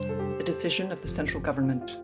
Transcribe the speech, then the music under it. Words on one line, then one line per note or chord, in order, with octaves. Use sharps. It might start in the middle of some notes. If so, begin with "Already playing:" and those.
The decision of the Central government.
Already playing: F2 C3 G3 D4 C5
A4
G4
G1 F2 C3 F3
F4
F4